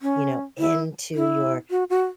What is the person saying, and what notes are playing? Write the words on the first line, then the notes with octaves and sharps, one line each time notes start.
you know, into your
C#4
E4
E4
F#4
F#4